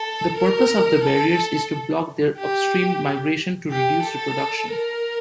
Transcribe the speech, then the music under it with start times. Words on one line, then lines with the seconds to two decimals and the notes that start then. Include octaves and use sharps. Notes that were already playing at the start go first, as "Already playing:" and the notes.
The purpose of the barriers is to block their upstream migration to reduce reproduction.
Already playing: A4
0.38 A#4
1.04 A4
2.38 G4
3.71 G4
4.03 A4
4.71 A#4